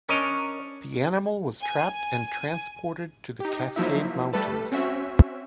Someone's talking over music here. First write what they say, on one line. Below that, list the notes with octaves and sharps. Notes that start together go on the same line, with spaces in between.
The animal was trapped and transported to the Cascade mountains.
C#4 D4 A#4 C#5 D#5
G#5
D#4 G4
F3 F#3 A#3 D#4 E4 E5
G3 A3 A4 B4 A5
C4 C#4 F#4 E5